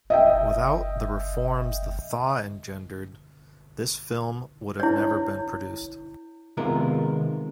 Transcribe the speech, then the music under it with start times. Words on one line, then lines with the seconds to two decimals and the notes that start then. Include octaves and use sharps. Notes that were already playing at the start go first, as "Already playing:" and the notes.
Without the reforms the "Thaw" engendered, this film would have never been produced.
0.10 D#5 E5 G5
4.80 E4 C#5
6.57 C3 D#3 G#3 B3 F4 A#4